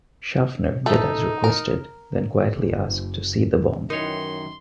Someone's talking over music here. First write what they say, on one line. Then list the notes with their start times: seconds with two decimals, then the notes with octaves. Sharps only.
Schaffner did as requested, then quietly asked to see the bomb.
0.86 A3 D#4 A4
1.44 A#4
2.53 F#1
3.90 F#2 D#3 E3 D#4 A#4 C#5 C6